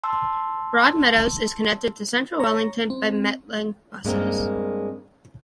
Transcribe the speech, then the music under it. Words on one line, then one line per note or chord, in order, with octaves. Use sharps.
Broadmeadows is connected to central Wellington by Metlink buses.
A5 C6 E6
C#5 A#5
C4
G2 G#3 A#3 C4 A#4